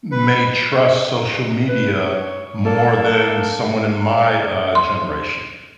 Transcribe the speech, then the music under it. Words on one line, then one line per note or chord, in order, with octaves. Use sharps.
may trust social media more than someone in my, uh, generation?
B4
B4
C#5
A#3 A4
C6